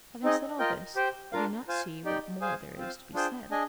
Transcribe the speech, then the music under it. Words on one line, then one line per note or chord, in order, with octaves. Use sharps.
Having said all this, I do not see what more there is to be said.
C4 D#4 G#4 D#5
F4 A#4 D#5 G5
G4 C5 G5
D4 F4 A#4 F5
F4 C5 F5 G#5
D#4 G4 D5 G5
G#4 C5 F5 G#5
C4 F4 C5 F5
D4 F4 G#4 C5 G5
D4 G#4 D#5 G#5